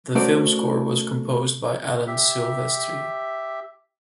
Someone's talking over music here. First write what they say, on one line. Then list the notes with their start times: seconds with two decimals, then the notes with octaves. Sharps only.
The film score was composed by Alan Silvestri.
0.15 A3 C#4 F#4 A#4 C5 D5
2.07 G4 E5